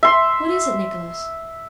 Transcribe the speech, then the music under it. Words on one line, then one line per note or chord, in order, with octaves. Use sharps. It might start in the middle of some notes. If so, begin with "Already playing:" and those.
"What is it, Nicholas?"
E5 C6